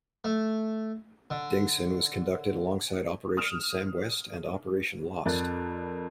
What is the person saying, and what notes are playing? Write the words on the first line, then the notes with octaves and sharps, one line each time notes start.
Dingson was conducted alongside Operation Samwest and Operation Lost.
A3
D3
D#6 F6 E7 F7
F2 A#4 D5 F#6 A6